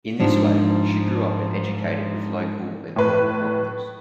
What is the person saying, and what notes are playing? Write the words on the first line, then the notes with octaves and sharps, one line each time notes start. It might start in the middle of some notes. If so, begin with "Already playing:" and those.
In this way, she grew up and educated with local and world problems.
G#2 F3 D4
A2 B4